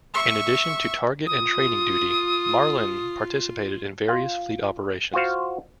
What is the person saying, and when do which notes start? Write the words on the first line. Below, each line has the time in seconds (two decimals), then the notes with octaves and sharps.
In addition to target and training duty, "Marlin" participated in various fleet operations.
0.14 E5 C#6
1.27 F4 D#6
4.08 F4
5.13 F4 F#4 C5 F5